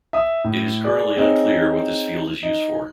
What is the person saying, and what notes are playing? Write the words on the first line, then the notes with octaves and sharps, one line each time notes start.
It is currently unclear what this field is used for.
E5 D#6
A2
G#4 D5
C4 D#4 G#4 C#5
D#4